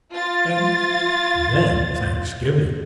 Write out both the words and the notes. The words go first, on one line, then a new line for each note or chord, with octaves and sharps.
And then Thanksgiving!
F4 A6